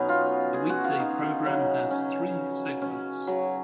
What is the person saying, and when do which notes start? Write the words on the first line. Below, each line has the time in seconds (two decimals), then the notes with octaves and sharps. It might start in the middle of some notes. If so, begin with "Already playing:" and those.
The weekday program has three segments.
Already playing: B2 F#3 B3 C#4 D#4
0.09 F4
0.54 G#4
0.70 F#4
0.84 F4
1.00 D#4
1.45 C#3 F#3
1.91 C#4
2.82 C#4
3.27 C#3 F#3